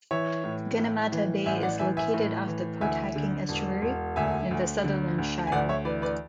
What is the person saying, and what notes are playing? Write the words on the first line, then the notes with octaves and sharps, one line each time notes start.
Gunnamatta Bay is located off the Port Hacking estuary, in the Sutherland Shire.
E3 C#5 E5
A2
A2
E3
A1 E5 G#5
D5 F#5
E3 E5 G#5
E5 G#5
A2
E3
D2 E5 G#5
D3
E1
E1
D2 E5 G#5
D2
D3
D2
G#5
D2 D5 F#5
C#5 E5
E3 B4 D5
B4 D5